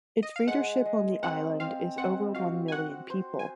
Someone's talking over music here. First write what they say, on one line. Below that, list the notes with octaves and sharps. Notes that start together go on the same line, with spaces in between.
Its readership on the island is over one million people.
D#5
F5
G#3 F#5
G#3
C4 F#5
C4 F5
C4 F#5
F#4 F5
G#5
F#4 F#5
C5
G#5